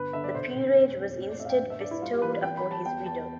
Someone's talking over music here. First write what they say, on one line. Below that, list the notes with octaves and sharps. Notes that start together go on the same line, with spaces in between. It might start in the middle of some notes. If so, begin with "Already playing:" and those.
The peerage was instead bestowed upon his widow.
Already playing: G1 B4
D3 E5
D5
E1 C5
E1
F2
F2
A2
D5
A1 E5
F5
G5
D3 F5
E5
G2 D5
E4
G3 F4
G4
E3 B4
B4
C4 G5
B5
G3
A5
E2 G5
E2 A5